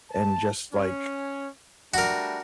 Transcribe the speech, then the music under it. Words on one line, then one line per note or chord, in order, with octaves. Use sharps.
and just, like
A5
C#4
G3 A3 D4 F#4 A#4